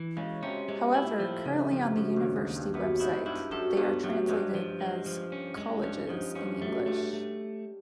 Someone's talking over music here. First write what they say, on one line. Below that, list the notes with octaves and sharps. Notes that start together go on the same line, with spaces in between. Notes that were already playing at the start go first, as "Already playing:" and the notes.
However, currently on the University website, they are translated as "colleges" in English.
Already playing: E3
C#3 G#3
C3 C#4
C3 G#3
A#2 E4
A2 F3
G#2 C#3
G2 F3
F#2 C#3
G2
D#2
G#2
D#2
G2
F#2 B3
G#2 E4
G2 E4
F#2 A4
G2 B3
F#2 F#3
G2 G#3
F3
G#3
F3
C#4
G#3
G2 C#4
G#2 F3
G2 C#4
F#2 A3
G2 A3
A3